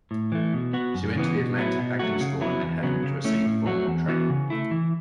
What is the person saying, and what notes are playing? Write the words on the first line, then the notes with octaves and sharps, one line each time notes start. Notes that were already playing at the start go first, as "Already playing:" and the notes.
She went to the Atlantic Acting School in Manhattan to receive formal training.
A2
E3 A3
B2
B3 F#4
F#2
C#3 E3 B3
B2
F#3 B3 E4
B2
F#3 A3 F#4
C#3
F#3 B3 E4
E2
C#3 F#3 B3
C#3
A3 C#4 E4
A2
F#3 A3 F#4
E2
E3 B3 F#4
C#3
A3 E4
E3